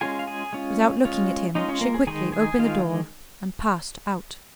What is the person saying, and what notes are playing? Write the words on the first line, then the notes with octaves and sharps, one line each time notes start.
Without looking at him she quickly opened the door and passed out.
G#3 C#4 F4 G#4 G#5
F5
G#4 G#5
G#3 C#4 F4
G#3 C#4 F4
G#3 C#4 D#4 F4 D#5
C#4 C#5
A#3 A#4
G#4
D#3 G#3 D#4 G#4 G#5
G#4 G#5
D#3 G#3 D#4 F4 F5